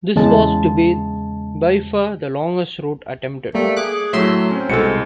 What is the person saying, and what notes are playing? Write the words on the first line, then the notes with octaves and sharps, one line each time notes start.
This was to be by far the longest route attempted.
E2 C#3 G#3 A5
G3 A3 A#3
G#4 D6 F#6
A2 F#3 A3 E5 C6 E6
C4 C#4
C2 B2 G#3 A4 C#7